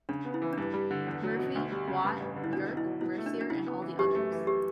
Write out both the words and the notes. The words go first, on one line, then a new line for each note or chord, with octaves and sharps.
Murphy, Watt, Yerk, Mercier and all the others.
C#3 D4
B3
E4
E3
D4
G2 E4
G3
D3
E2
F#3
B2
D2
G3
C#3
G2
A1
D3
E4
B2 D4
B1
E4
F#3
B2 E4
A3
D4
F#3
D4
C#3 E4
B3
E3
F#2 G4
A3
E3
G4